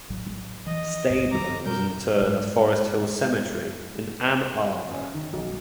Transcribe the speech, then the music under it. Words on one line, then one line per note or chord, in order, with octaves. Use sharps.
Staebler was interred at Forest Hill Cemetery in Ann Arbor.
A#1 A2 F#3
E3 F3 D#5
A1 G#2
G2 D#3 G3 A#5 D6
B2 G3 A#4 G6
G#2 G#3
C#4
D#3
B1